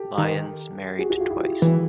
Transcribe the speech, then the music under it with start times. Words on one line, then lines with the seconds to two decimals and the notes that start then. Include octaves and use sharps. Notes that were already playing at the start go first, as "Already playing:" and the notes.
Lyons married twice.
Already playing: G4 A4
0.18 D#3
0.99 F#4 G#4
1.10 F#4 G#4
1.20 F4 G4
1.30 E4 F#4
1.62 E3